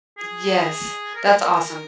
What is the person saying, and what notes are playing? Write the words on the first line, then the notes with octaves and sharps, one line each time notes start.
Yes, that's awesome.
G#4
A#4